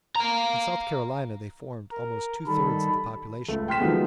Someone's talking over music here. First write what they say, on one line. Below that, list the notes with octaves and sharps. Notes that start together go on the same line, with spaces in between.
In South Carolina they formed almost two-thirds of the population.
F5 A#5
A#4
D#3 G3 A4 B5
C#2 A3
G5 C6 F6 G6 B6 E7
D#3 F3 F#3 G#3 A3 B3